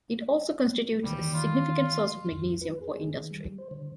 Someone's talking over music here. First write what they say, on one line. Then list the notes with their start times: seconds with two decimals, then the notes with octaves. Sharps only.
It also constitutes a significant source of magnesium for industry.
1.04 D#3 E3 G3 A#3
1.34 F4
2.32 F2
2.61 B4
2.81 G#4
3.07 D#3
3.31 G3
3.58 C5
3.71 D3